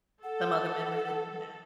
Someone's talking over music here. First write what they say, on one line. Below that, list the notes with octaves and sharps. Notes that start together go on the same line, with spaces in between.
some other memory that you have?
A4 F#5